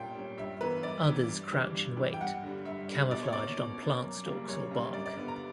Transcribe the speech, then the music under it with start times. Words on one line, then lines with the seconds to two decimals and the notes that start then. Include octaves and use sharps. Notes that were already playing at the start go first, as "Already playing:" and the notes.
Others crouch in wait, camouflaged on plant stalks or bark.
Already playing: A#2 G3 C#4 G5
0.15 G3 C#4
0.38 G2 E5
0.61 E3 B3 B4
0.83 G2 D5
1.06 E3 B3
1.29 G2
1.51 E3 G3
1.74 G2
1.97 E3 G3
2.14 G5
2.21 G2 F#5
2.42 D3 G3
2.65 G2 E5
2.88 D3 G3
3.11 B2 D5
3.22 C#5
3.33 A#3 C#4 D5
3.58 B2
3.80 A#3 C#4
4.03 F#2
4.26 C#3 G3 A#3
4.48 F#2 C#5
4.71 C#3 G3 A#3
4.93 G2 D5
5.06 D5
5.17 D3 G3 B3
5.28 A#5